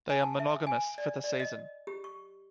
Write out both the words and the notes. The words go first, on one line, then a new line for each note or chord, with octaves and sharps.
They are monogamous for the season.
G#5
A5
E5
G#5
D5
D5
D#5
G4
C#6